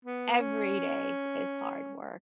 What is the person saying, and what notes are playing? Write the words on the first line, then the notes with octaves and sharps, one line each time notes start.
every day, it's hard work.
B3
C#4